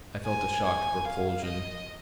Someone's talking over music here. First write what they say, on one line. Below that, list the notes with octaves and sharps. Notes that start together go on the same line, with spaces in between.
I felt a shock of repulsion.
G#5
G#5
F5
D#5